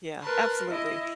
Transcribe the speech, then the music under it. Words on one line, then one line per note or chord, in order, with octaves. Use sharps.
Yeah, absolutely.
A#4 B4 A5 C6
E4 D#5